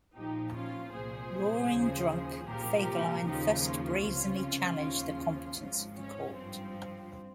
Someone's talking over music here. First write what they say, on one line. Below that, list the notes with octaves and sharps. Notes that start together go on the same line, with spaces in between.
Roaring drunk..., Fegelein first brazenly challenged the competence of the court.
A#1 A#2 F3 D#4 G4
C#4 F4
C2 A#2 F3 G#4 C5
D#2 C#3 F3
C2 A#2 F3 G4 A#4
D#2 C#3 F3 D#4 G4
C#4 F4
C#2 C3 F3
D#2 C#3 F3
G#1 G#2 F3
C#4
G#1 G2 F3 C4